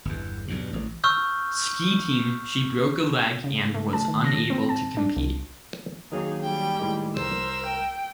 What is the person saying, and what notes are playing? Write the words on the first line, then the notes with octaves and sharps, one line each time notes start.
Ski Team, she broke a leg and was unable to compete.
G1 E2
B1 E2 G2
A1
C#6 E6 F6 G6
C#3
A3
A5
D#3
A#6
C4
A5
D4
C2
D#3 F#3 A#3 D#4 G#4
G3 G#4 G5
A2 D#3 G#3
C2 A#4 C5 E6
G5